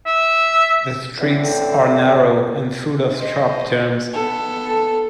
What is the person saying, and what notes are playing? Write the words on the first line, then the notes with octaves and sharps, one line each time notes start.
The streets are narrow and full of sharp turns.
E5
A2 D3 E3 C4
C5 D#5
B3 A4